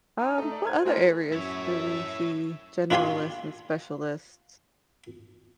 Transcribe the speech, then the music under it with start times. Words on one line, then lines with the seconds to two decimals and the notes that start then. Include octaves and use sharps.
Um, what other areas do we see generalists and specialists?
0.20 D#4
0.38 A3 A4
0.52 D5
0.67 C5 G#6
0.85 A3 C4 E4 G#4 A#4
1.32 F#2 E4 C#5 E5
2.91 D4 E4 F4 G4 G#5 C6